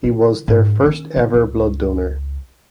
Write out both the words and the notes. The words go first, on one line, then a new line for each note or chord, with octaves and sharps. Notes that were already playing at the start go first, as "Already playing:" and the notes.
He was their first ever blood donor.
D3 E3
G#2
D#3 C#4
C#3 B3
C#2